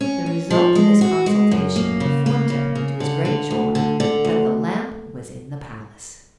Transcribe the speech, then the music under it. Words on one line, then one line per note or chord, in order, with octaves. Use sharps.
The result of his consultation informed him, to his great joy, that the lamp was in the palace.
C#4
C#4
F3
G#3
F#4
G#3
F#2
A#3
C#3
A#3
C#3
C#3
D3
D3
D2
D3
D3
D2